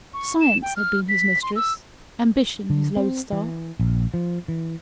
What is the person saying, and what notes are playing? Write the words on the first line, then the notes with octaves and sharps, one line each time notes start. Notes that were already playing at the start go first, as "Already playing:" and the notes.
Science had been his mistress; ambition his lode-star.
C#6
E7
G5
F6
B6
C6
E6
D3
C4
E3
A#1
F3
E3